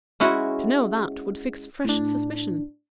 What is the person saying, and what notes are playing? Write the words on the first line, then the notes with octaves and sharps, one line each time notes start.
To know that would fix fresh suspicion.
G#3 C#4 E4 F#4
A2 D4